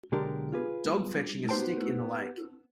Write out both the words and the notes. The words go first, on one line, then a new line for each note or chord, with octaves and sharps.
Dog fetching a stick in the lake.
B1 D3 G#3 D4 G4 A#4
F4 G#4 B4
B3 D#4 G4 C5 G5 A5